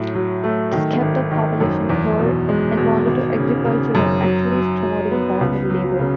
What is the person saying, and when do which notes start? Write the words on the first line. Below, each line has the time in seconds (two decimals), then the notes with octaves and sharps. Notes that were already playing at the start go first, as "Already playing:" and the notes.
This kept the population poor and bonded to agricultural activities promoting bonded labor.
Already playing: A2 F#3
0.15 F#3
0.44 A3
0.72 D#3
1.01 G#1
1.31 D#3
1.60 F#2
1.89 E2
2.19 B2
2.49 G#3
2.77 B2
3.06 G#1
3.36 C#3
3.65 C#3
3.95 F#2
4.23 F#3
4.53 F#3
4.83 F#3
5.11 B3
5.41 C#2
5.70 F#3
5.99 C#3